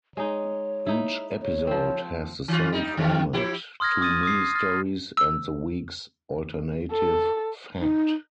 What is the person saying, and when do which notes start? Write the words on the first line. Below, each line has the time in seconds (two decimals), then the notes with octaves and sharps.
Each episode has the same format, two mini-stories and the week's alternative fact.
0.17 G#3 D#4 C#5
0.86 D#4 E4
1.42 C#5
1.67 F3 C4
2.48 D#3 F4
2.72 G3 D#4
2.97 D3 E3
3.33 F3 E4 G4
3.80 C6 D#6 F6 G#6 A#6
4.01 D6 D#6 F6 A6 D#7
4.23 D6 D#6 C7
4.55 F6 A6
5.17 E6
6.92 A4
7.81 D#4